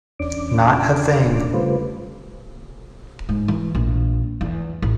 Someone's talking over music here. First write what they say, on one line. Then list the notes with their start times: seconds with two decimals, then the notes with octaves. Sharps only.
Not a thing.
0.19 E2 C#4 D4 D6
1.54 C#3 G3 A3 F4 B4 C5
3.29 G#2
3.48 E3
3.75 A#1
4.41 E2
4.82 A1